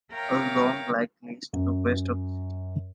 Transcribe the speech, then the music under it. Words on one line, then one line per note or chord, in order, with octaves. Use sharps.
A long lake lies to the west of the city.
A#4 C#5 E5 F5 G5 A#5
F#2